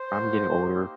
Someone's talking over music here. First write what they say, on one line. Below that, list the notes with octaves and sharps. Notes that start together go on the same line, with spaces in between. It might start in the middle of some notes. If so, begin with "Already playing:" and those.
I'm getting older,
Already playing: C5
A#3 F#4
A#3 D#4 G4